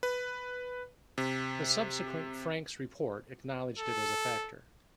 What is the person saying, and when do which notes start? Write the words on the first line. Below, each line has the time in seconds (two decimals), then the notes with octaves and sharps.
The subsequent Franks Report acknowledged it as a factor.
0.03 B4
1.18 C3
3.79 A4